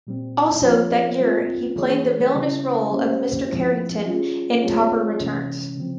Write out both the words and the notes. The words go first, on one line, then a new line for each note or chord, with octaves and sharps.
Also that year he played the villainous role of Mr. Carrington in "Topper Returns".
A#2 G3 C4
F3 C4 F4 A#4 C#5
G3 C4 F4
E3 A#3 E4 G#4 C#5
C#3 G3 C#4 E4
G3 A#3 C#4 G4 C5
F3 G#3 C4 E4
G3 C#4 F4 G#4
G3 C4 F4 G#4 C#5
C3 E3 G#3 C#4
C#3 F3 C4